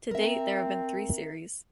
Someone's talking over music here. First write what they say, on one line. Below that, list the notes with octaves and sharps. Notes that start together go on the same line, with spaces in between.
To date there have been three series.
C4 A#4 E5